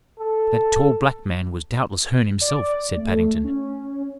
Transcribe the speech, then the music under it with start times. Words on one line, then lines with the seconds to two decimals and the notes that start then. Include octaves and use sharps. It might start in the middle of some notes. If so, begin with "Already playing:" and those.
"That tall black man was doubtless Herne himself." said Paddington.
0.19 A4
2.41 D5
2.97 A3
3.44 C#4